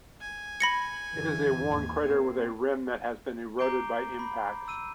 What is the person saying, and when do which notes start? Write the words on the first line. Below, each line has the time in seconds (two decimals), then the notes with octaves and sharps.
It is a worn crater with a rim that has been eroded by impacts.
0.21 G#5
0.60 B5 A#6 C#7
1.12 F#2 D3 E3
1.67 D#2 G#2
2.04 A#2 A#3 C4
3.59 A#5 D6 G6 C7 D7 G7
4.19 B5
4.68 E6 D#7